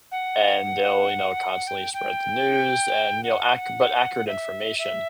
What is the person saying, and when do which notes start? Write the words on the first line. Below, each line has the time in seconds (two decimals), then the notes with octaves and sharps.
and they'll, you know, constantly spread the news, and you know, ac but accurate information.
0.11 F#5
1.67 G5
1.93 G5
3.23 F#5
4.27 E5
4.78 E5